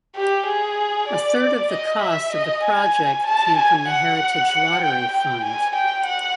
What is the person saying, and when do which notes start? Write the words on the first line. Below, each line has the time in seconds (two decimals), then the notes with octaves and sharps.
A third of the cost of the project came from the Heritage Lottery Fund.
0.16 G4
0.46 G#4
1.08 D5
1.71 D#5
2.02 E5
2.33 D#5
2.64 G#5
3.26 A5
3.57 G#5
3.88 F#5
4.82 G5
5.13 G5
5.44 G#5
5.75 G5
6.06 F#5